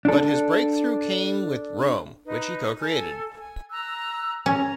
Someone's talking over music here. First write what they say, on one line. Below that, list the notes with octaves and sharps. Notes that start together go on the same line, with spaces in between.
But his breakthrough came with "Rome", which he co-created.
D4 A4
D#4 B4
A4 G#5
G#5
A#5 E6 F#6
C#4 A#5